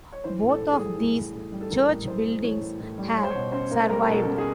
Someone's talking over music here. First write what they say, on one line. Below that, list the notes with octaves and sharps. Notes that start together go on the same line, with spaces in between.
Both of these church buildings have survived.
C#5
E3 C5
A2
A4
A2
G#4
G3
E3 A4
A2
A2
G3
A4
E3 A#4
A2
A2 C5
G3
E3 C#5
A2
A2
G3
G3 C#5
C5
C#5
B2
C#4 C5
A#3
G3 A#4
B2
A4
C#4
G#4